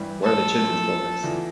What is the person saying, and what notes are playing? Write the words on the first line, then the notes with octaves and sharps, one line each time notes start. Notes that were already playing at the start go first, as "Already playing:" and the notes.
Where are the children’s programs?
Already playing: G1 G2 E3 G3
A4
A#1 A#2 A3 C#4 E4
E2 E3 A3 D4 F4